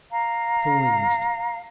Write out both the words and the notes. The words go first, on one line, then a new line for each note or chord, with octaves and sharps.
That's always a mistake.
F5 A#5